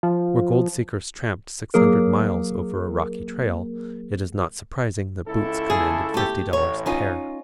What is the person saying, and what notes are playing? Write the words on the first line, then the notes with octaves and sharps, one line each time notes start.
Where gold-seekers tramped six hundred miles over a rocky trail, it is not surprising that boots commanded fifty dollars a pair.
F3
F#3 A#3 G#4 A#4
C#2 E4 A4
G#4
A3 G4
A1 A2 C#5
C#4 D#4 F4